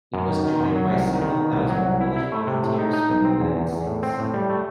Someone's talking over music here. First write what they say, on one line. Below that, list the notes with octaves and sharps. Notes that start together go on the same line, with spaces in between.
It was joined by several thousand Polish volunteers from the United States.
F#2
D#3
D#3
F#2
F#3
C2
D#3
D#3
B2
C2
F#3
C2
E4
E4
A3
C3
A2
D#4
D#4
B1
C4
E2
E2
E2
A2
C4
A2
G3
A3